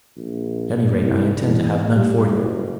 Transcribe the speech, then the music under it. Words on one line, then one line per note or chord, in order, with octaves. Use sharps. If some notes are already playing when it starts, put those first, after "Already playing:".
At any rate, I intend to have none for you.
A#1
C2
E2
G3
F#1